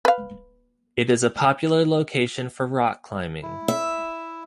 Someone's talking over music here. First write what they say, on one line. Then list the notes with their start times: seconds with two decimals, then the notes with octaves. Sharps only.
It is a popular location for rock climbing.
0.05 B4 F5
3.43 E4
3.68 E5